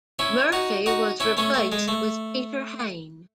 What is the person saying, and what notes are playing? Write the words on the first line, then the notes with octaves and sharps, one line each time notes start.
Murphy was replaced with Peter Hain.
C#4 E4
D#4 F#4
D#4 F#4
C#4 E4
A3 C#4
A3
G#3
A3